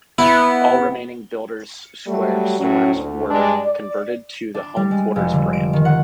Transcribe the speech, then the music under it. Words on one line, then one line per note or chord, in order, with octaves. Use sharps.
All remaining Builders Square stores were converted to the Home Quarters brand.
B3 E4
F#3 G3 A3
A2 F#3 C#4
D2
G2 G#3 D4
D5
D4
G3
G#3
F1
D3
D7
D#3
F#5